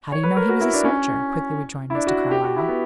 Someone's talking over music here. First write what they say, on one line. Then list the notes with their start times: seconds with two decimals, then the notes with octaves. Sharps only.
"How do you know he was a soldier?" quickly rejoined Mr. Carlyle.
0.12 C#5
0.23 B4
0.36 A#4
0.48 F#4
0.61 E4
0.73 D4
0.85 C#4
1.90 E4
1.95 D4
2.07 F#4
2.31 G4
2.44 F#4
2.56 E4
2.68 B3